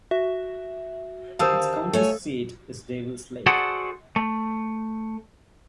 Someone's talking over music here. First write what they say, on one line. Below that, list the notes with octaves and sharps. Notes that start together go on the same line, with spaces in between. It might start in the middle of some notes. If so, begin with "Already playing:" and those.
Its county seat is Devils Lake.
F#4 E5
D3 D#3 G4 C5 F5 A5 D#6 E6
A3 A4 C#5 G#5
F#4 G#4 A4 C5 D5 F#5
A3